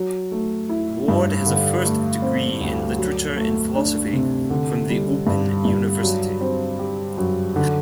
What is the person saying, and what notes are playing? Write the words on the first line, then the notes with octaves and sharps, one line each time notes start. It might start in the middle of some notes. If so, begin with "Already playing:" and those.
Ward has a first degree in Literature and Philosophy from the Open University.
Already playing: F#3
A3
E4
G2
D3
A3
C4
D2
F#3
A3
D4
C3
D3
G3
G2
G2
F#3
C4
G4
F#2
D3